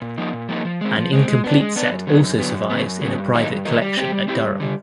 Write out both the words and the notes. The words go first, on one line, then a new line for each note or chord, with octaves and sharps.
An incomplete set also survives in a private collection at Durham.
A#2
F3 A#3 D#4
A#2
F3 A#3 D#4
F3
G#3 C4
F3
G#3 C4
G#3
B3 D4
G#3
B3 D4
F#2
D3 F#3 B3
F#2
D3 F#3 B3
F#2
C#3 F#3 B3
F#2
C#3 F#3 B3
G2
D#3 F#3 A#3 D#4
G2
D#3 F#3 A#3 D#4
G3
C4 E4 G4
G3
C4 E4 G4
G2
D3 G3